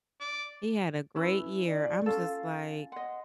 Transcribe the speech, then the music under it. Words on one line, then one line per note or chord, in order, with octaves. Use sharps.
He had a great year. I’m just like,
D5
C#4 E4 B4
D5
C#4 F4 A4 F5
D#5 F#5 C6